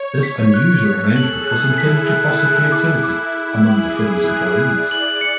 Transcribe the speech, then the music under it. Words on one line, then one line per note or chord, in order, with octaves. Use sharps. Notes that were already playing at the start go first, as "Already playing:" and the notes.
This unusual arrangement was intended to foster creativity among the firm's employees.
Already playing: C#5
B6
F#6
A4 B6
G#4 F#7
E4 F#6
E4 B6
F#6
F#6
D6
D6
F#6
G#4 F#7
D6
F#6
D5 F#6
F#7
C#7